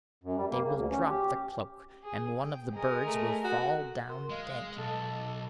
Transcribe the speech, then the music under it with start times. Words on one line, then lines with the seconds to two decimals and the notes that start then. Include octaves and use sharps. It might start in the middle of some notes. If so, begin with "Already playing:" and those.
They will drop the cloak, and one of the birds will fall down dead.
0.24 F#2
0.37 G3
0.50 A#3
0.63 C#3
0.76 D2
0.91 C#4
1.09 G4
2.03 G#4
2.42 G5
2.73 G#3 A#4
3.06 A3
3.44 F#4
4.09 A#4 C6
4.30 G#3 D#5 F5
4.77 B1 A4